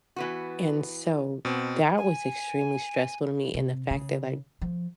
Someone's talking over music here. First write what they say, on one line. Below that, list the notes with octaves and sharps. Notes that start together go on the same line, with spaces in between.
and so, that was extremely stressful to me, and the fact that, like
E3 B3 F#4
B2 C4
G#5
C3
C#3
F3